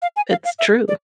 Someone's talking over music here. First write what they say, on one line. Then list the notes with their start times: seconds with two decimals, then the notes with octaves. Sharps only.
It's true.
0.02 F5
0.16 G#5
0.30 F5
0.45 F5
0.59 E5
0.88 D5